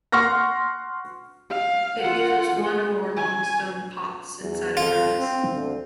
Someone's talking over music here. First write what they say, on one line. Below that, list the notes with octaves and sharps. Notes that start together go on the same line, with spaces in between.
It uses one or more long stone "pots" inside a furnace.
F#5 C6 C#6 F6 A#6
F5
F4 F#5
G#3
G#5
E2
F2 F4
C4
D2